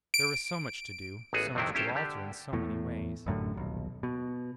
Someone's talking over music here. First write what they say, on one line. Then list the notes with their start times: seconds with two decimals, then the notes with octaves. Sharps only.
There was so much to do; so much to alter in so many ways.
0.14 D7
1.33 A1 B3 F#4 G#4 F#5
1.55 F2 C3 D#3 C4 D4 E4
1.75 C#4 E4 G4 A4 C5
1.95 D3 G4 D5
2.53 E2 A2
3.26 A1 F#2 A2 D3
3.54 D#1 B1
4.03 B2